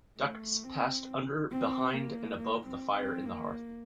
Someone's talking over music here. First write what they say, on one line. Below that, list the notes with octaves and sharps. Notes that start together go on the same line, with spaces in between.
Ducts passed under, behind, and above the fire in the hearth.
A3
C4
C4
A#3
A#3
C4
C4
A#3